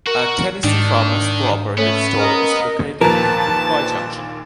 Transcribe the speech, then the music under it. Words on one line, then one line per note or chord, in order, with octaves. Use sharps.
A Tennessee Farmers Cooperative store is located in Big Boy Junction.
F#4 A#4
G#2 D#3 D4
A3 B3 C#4
A#4 D#5
A#1 D#2 A#2 F3 A#4 B4 A5